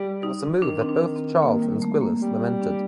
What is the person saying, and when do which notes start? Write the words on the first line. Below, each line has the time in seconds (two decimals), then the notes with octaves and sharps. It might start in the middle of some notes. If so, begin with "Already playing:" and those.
It was a move that both Charles and Squillace lamented.
Already playing: G3
0.23 D#4
0.62 D#3 D4
0.81 C4
0.89 D4
1.16 C4
1.42 A#3
1.62 G3
1.82 A3
2.01 A#3
2.21 G3 C4
2.62 D4